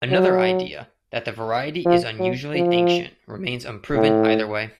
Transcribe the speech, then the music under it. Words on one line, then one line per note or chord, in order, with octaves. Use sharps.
Another idea, that the variety is unusually ancient, remains unproven either way.
F#3
F3
F#3
F3
A2